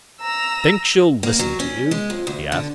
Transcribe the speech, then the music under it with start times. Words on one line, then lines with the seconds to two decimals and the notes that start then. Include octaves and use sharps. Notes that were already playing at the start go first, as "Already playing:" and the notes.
"Think she'll listen to you?" he asked.
0.21 A#5 E6
1.23 A#3
1.39 F#3
1.60 C#4
1.91 G#3
2.10 F2
2.27 D2
2.52 D3